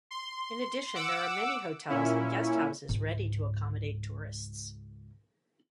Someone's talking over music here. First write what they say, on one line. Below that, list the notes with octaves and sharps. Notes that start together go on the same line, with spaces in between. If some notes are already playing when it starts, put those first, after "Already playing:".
In addition, there are many hotels and guest houses ready to accommodate tourists.
C6
F#5 D6 E6
A#2 C#4 E4
C#2 G#2